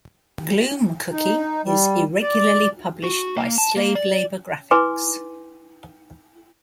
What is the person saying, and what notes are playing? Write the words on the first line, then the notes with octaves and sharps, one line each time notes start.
"Gloomcookie" is irregularly published by Slave Labor Graphics.
D#4
G3
D5
F#4
A#3
A5
A#3
D5
E4 B4 G#5 C6 D6